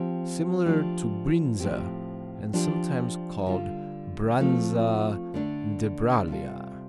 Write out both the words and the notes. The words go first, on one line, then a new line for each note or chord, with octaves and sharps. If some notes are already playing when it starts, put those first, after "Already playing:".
Similar to Brinza and sometimes called Branza de Bralia.
Already playing: F3 C4 G4
F3 A3 D4 G4
A2 F3 C4 G4
F3 D4 G4
D3 G3 F4
F3 A3 C4 F4 A4
D3 A3 D4
C3 G3 F4 A4